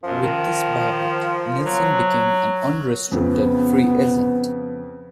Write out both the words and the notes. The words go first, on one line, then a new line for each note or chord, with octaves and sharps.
With this buyout, Nilsson became an unrestricted free agent.
F#2 F3
D#3
F#3
F2 C#3 B3